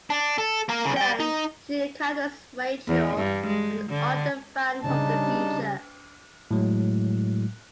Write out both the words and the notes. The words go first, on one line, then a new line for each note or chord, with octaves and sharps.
Then she encounters Rachael, an ardent fan from the future.
D4
A4
A#3 A#4
B1 C#3
D5 G5
D#4
E2
G2
G#3
D3
C#3 G3 D4 D#4 A5
A2 F#3 G#3